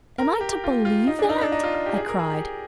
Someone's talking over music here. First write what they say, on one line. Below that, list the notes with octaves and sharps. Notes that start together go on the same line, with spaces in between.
"Am I to believe that?" I cried.
A#4
G4
F4
F4
D#4
D4
D#4
D4
D#4
F4
F4
G4
G#4
A#4
G#4
G4